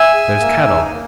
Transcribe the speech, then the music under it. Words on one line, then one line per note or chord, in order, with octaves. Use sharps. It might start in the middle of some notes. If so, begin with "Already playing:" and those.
'There's cattle!
Already playing: E5 G#5
G#4
A#3
D#4 G#4
A#3